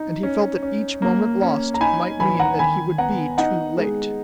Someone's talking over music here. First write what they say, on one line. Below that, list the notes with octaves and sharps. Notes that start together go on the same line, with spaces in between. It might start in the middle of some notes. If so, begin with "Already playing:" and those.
And he felt that each moment lost might mean that he would be too late.
Already playing: D#4
C#4
C#4
A#3
C#4
A#5
D#4 G#5 B5
E3 G#5 B5
F#5 A#5
D#3 G#5 B5
B3 F#5 A#5
D#4 D#5 F#5
G#3